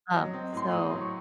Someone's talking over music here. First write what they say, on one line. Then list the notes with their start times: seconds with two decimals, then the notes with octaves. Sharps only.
Um, so,
0.14 F#3 D#5
0.33 C4
0.53 A2 C6
0.71 A2 D#6
0.91 F#3
1.01 C#6